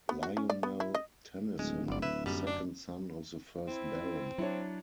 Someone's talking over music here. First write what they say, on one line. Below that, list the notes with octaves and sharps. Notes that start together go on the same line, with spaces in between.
Lionel Tennyson, second son of the first Baron.
B3
F#4
C#4
D5
B3
E4
D#5
D1 G#3
G1 D5
B4 E5
F#2 G3
D4
C4 E4
F#3 D4 E4 C#5